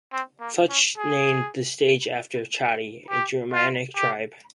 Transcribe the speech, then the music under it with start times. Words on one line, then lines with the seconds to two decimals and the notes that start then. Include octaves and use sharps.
Fuchs named the stage after the Chatti, a Germanic tribe.
0.13 C4
0.41 A#3
0.69 C#4
0.98 G#4
3.10 G4
3.53 F4
3.96 G4